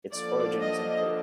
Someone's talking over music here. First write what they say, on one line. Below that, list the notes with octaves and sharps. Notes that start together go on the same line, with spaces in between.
Its origin is unclear.
D3 F3 A#3 D4 D5
D#5